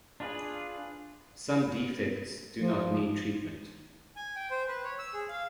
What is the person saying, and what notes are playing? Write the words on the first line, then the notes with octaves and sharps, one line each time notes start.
Some defects do not need treatment.
D4 F4 G#4 B4
F3
G#5
G5
C5
B4
C#5
E6
G#4
F5